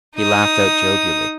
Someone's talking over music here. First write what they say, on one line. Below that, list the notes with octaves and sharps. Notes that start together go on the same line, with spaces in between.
He laughed out jovially.
D#4 D#6